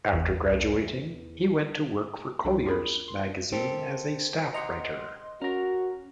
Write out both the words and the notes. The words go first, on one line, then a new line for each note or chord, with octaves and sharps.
After graduating, he went to work for "Collier's" magazine as a staff writer.
G#1 E2
C2
E3
C#2 D4 F#4 A4 G5
F4 G4 G#4 A#4 B5
C6
C4 G4 A4 A#4
G4 D#5 F#5 A#5 C6
C#4 F#4 A#4 A#5